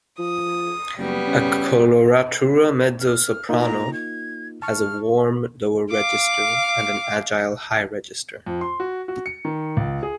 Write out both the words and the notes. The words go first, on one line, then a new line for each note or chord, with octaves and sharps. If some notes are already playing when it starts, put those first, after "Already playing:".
A coloratura mezzo-soprano has a warm lower register and an agile high register.
F3 D#6
F#1 G3 B3
C#3
F6
A#3 D#4 F4
A#5
G#6
A5 C#6 F6
F5 D6
F2
C6
F#4
F#4
C#7
D#3
C#2
G#4